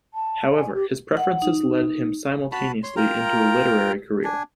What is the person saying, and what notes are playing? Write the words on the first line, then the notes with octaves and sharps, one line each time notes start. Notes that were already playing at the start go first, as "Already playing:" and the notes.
However, his preferences led him simultaneously into a literary career.
A5
G#5
G4
F#5
D#4
F#4 A5 B5
C#5 C6
F4 A#4 G5 A#5
D4 G#5